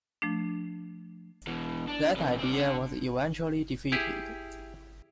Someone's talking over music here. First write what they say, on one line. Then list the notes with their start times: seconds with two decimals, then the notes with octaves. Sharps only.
That idea was eventually defeated.
0.22 F3 A3 D4
1.47 B2 E3
1.88 D4
2.16 C3 E3
2.39 C4 D5
2.51 D3
3.92 E4 G4 G#4